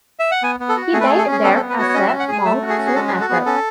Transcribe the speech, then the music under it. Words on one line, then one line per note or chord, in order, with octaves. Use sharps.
He died there as a monk soon after.
E5
F#5
B3 G#5
B3
A4
F#4
A3 G#4
B4
A4
G#4
A4
C#4 G#4
B3 A4
A4
B3
B4
F#4 C#5
C#5
C#4 D#5
E5
C#4
F#5
G#4 G#5
A3 E5
F#4
G#4
C#4
G#4
G#3 A4
G#4
F#4
A4
B3 G#4
C#4 A4